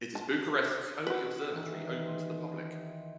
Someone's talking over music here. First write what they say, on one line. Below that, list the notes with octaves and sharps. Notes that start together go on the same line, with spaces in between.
It is Bucharest’s only observatory open to the public.
A5
F#4 B4
D#3 E3
C6